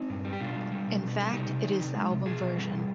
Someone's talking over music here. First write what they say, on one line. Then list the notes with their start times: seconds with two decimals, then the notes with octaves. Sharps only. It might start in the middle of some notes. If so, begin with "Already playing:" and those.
In fact it is the album version.
Already playing: C4 D#4
0.10 G2
0.25 G3
0.33 G4
0.40 B2 D4 F4
0.56 G3
0.72 G3
0.87 B2
1.02 B2
1.18 G3
1.33 C3 D#4 G4
1.48 C3
1.64 D#3
1.79 C3
1.95 G#3
2.11 C3
2.26 B2 F4 G#4
2.41 B2
2.56 G3
2.72 B2